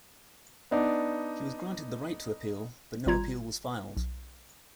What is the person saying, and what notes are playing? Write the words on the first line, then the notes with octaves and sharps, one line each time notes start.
He was granted the right to appeal, but no appeal was filed.
B3 D4 D#4 D5
G#1 G3 F4 A#5 G#6
B1